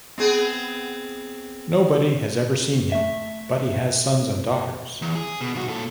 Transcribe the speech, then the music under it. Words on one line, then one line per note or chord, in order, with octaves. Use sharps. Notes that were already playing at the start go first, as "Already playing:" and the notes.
Nobody has ever seen him, but he has sons and daughters.
B3 C4 G#4
A3 E5
E2
G#4
B2
C2 F#4
A#2 A4